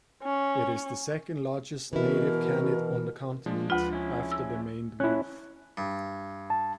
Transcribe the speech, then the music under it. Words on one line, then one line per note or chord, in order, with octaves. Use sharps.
It is the second largest native canid on the continent, after the maned wolf.
C#4
B2 E3 E4 F#4 A#4
F3 G#3 D4
D2 F4 B4
C#4 E4
E6
C#4 E4 F#6
G2
A5